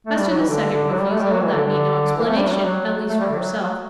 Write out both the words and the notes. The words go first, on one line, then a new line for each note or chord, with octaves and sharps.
As to the second refusal, that needed no explanation, at least for herself.
A3
G3
F#3
E3
D3
D3
F#3
G3
A3
G3
F#3
E3
D3
D3
E3
A3
G3
F#3
G3
F#3
A3
G3
D3
F#3
F#3